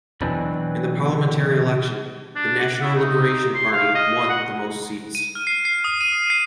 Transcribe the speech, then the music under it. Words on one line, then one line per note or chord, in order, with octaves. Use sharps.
In the parliamentary election, the National Liberation Party won the mosts seats.
B2 E3 F#3 C4 D4 B4
D4
F#5
E4
D#4
C6
F5
D#5
F#5
D#7
F6
C7
C7
D#6
D#7
C7